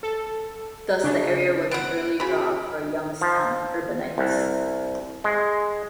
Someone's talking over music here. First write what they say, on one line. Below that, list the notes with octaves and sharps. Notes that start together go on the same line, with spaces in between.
Thus the area was an early draw for Youngstown urbanites.
A4
C#3 D4
B3 F#5 D7
C#3 F#4 B5
F3
C2
G#3